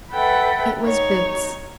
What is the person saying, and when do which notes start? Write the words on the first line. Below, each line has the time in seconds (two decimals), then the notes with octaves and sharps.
It was Boots.
0.12 A4 B4 E5 F#5 G5 B5
0.81 D#4 C#5